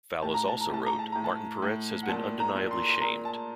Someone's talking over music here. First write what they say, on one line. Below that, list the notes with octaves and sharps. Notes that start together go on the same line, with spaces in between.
Fallows also wrote: Martin Peretz has been undeniably shamed.
A2 A5
A#5
A5
A#5
A2 A5
A#5
A5
A2 A#5
A5
A2
F#5
A#2 A5
A#5
A#2
C6
C6
A#2 A#5
A5